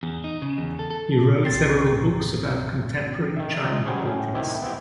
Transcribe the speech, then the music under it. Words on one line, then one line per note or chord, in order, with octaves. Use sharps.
He wrote several books about contemporary China politics.
E2
D#4
C#3
E2
A4
A4
C2 G2 C4 G5 A6 C7
D#3 E5
C4 D#5 E5
F#3 G3 C#4 G#4 C5 C#5
A2 C#4 G5
C3 D#3 E4 G4
B3 C4 E4 G4